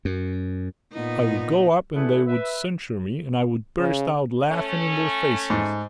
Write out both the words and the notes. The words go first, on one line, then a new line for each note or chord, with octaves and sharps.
I would go up and they would censure me, and I would burst out laughing in their faces.
F#2
A#2 B3 D#4
E3 A3 B3 D4 E4
B4 E5
C#3
A3 C#4
G#2